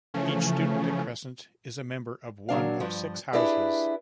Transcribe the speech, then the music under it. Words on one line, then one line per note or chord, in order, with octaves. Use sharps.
Each student at Crescent is a member of one of six houses.
C#3 E3 F3 A3 C#4
A#2 F#3 D4 F5
G2 F3
D4 E4 G4 G#4 B4 D5